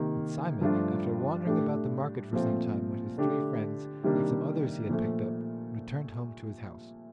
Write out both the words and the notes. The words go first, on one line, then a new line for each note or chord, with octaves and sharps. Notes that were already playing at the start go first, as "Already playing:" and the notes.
But Simon, after wandering about the market for some time with his three friends and some others he had picked up, returned home to his house.
Already playing: C3 D#3 A#3
G2 F3 A3 D4 F4
A2 A3 D4 G4
A#2 F3 A3 C4 F4
D3 A3 D4 G4
C3 D#3 G3 A#3 D4
A#2 F3 A3